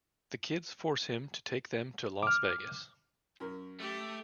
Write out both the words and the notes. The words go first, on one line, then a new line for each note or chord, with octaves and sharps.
The kids force him to take them to Las Vegas.
D6 F6
F#2 C#4 A#4
A3 G4